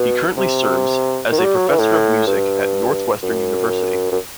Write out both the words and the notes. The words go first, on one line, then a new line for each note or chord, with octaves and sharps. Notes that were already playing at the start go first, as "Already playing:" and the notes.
He currently serves as a professor of music at Northwestern University.
Already playing: B2
C3
D#3
F#3
G3
F#3
E3
A2
G2
F#2
F#2